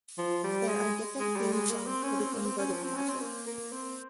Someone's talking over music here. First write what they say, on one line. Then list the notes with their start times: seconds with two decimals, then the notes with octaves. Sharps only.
There are different theme songs for the Inverted Castle.
0.18 F3
0.44 G3
0.68 G#3
1.20 G#3
1.36 G3
1.53 G#3
1.70 A#3
1.86 C4
2.03 C#4
2.20 C4
2.33 A#3
2.46 C4
2.58 C#4
2.71 F3
2.84 C4
2.96 C#4
3.09 C4
3.21 A#3
3.47 A#3
3.72 C4